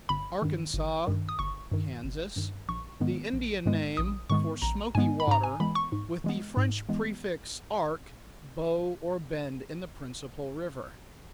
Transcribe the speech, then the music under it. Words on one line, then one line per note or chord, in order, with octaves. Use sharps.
Arkansas"--Kansas," the Indian name for "smoky water," with the French prefix "arc," bow or bend in the principal river.
G1 B5
G2 D#3
G1
G2 D#3
D#6
G1 C#6
G2 D#3
G1
G2 D#3
A#1 C#6
G#2 D#3 G#3 B3
A#1
G#2 D#3 G#3 B3
A#1 D#6
G#2 D#3 G#3 B3 C#6
A#1 A#5
G#2 D#3 G#3 B3 G#5
B5
G#2 A#5
G#5
E3 G#3 B3 B5
C#6
G#2
E3 G#3 B3
G#2
E3 G#3 B3